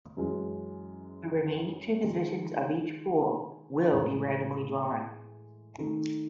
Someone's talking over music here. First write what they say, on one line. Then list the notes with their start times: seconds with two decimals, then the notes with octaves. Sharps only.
The remaining two positions of each pool will be randomly drawn.
0.17 F#2 E3 G#3
2.04 D#3 G#3 D#4
3.92 A2 E3 G#3
5.78 D#3 A3 D#4